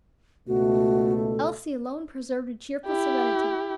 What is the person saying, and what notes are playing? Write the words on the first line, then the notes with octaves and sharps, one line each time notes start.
Elsie alone preserved a cheerful serenity.
C#2 B2 A3 F#4
A4
E4 G4